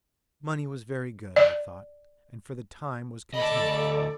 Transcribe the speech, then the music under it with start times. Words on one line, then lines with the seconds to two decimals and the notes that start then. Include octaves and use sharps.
Money was very good, I thought, and for the time was content.
1.36 D5
3.34 D2 A4 D5 D#5 A5 B5